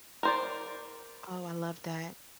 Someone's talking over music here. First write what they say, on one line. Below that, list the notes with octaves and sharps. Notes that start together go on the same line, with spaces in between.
Oh, I love that,
A#4 C5 D5